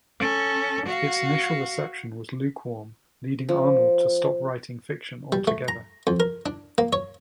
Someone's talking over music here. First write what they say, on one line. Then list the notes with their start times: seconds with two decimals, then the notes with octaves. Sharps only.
Its initial reception was lukewarm, leading Arnold to stop writing fiction altogether.
0.20 C#4 A4
0.86 F#4 F5
3.49 F3
5.32 G3
5.47 A3
5.68 A#5
6.07 F2
6.20 A#4
6.46 D4
6.78 A#3
6.93 C#5